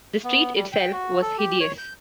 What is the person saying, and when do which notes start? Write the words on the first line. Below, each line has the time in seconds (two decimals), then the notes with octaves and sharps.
The street itself was hideous.
0.24 B3
0.55 G3
0.73 G5
0.92 F#4
1.22 A4
1.38 G4
1.60 C#5
1.78 G6